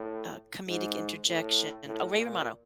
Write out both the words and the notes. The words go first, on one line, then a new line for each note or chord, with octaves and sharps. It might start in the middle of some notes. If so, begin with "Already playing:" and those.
uh, comedic interjection. Oh, Ray Romano,
Already playing: A2
G#2
A2
A2
A#2